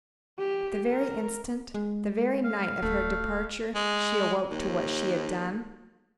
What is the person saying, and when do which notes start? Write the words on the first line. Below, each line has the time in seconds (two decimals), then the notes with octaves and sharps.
The very instant--the very night of her departure, she awoke to what she had done.
0.39 G4
0.92 A#4
1.74 G#3
2.44 F5
2.82 D1 A3
3.75 G#3
4.51 D#2